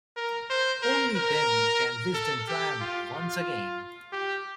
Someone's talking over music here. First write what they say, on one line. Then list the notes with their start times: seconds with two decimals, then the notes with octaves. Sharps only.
Only then can wisdom triumph once again.
0.16 A#4
0.50 C5
0.82 A#4
1.15 A#4
2.14 A4
2.48 G4
2.81 F4
3.13 F4
4.12 G4